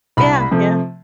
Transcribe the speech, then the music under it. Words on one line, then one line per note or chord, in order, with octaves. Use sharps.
Yeah, yeah.
C2 B5
B5
C3 F3 A3